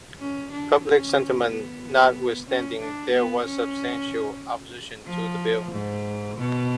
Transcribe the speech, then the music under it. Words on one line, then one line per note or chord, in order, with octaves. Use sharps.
Public sentiment notwithstanding, there was substantial opposition to the Bill.
C#4
D4
C#4
B3
C#4
D4
B3
C#4
F3
G#2
B2